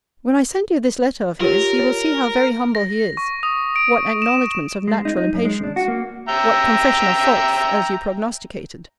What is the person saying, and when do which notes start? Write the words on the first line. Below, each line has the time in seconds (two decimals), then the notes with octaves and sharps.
When I send you this letter of his, you will see how very humble he is: what acknowledgements of natural impatience: what confession of faults, as you prognosticated.
1.40 F4 G4 A#4 C#5
1.79 C#5
2.75 A#6
3.17 C#6
3.43 D#6
3.76 D7
4.22 E7
4.88 G#3
5.05 D#4
5.17 D#4
5.34 F#2
5.45 G#3
5.63 D4
5.76 F#4
5.88 A#3
6.29 E5 G5 A#5